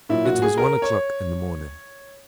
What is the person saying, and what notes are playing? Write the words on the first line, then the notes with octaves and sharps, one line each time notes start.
It was one o'clock in the morning.
A#2 F#3 E4
F#4
G#4
A#4
C#5